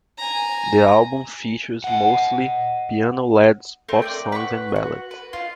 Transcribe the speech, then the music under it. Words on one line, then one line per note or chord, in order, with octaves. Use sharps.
The album features mostly piano-led pop songs and ballads.
G#5 A#5
D#5 F#5
A3 C4 A#4 C#5
D5 D#5 G5
B4 F#5 A#5 C#6
F#4
B4
F4 D#5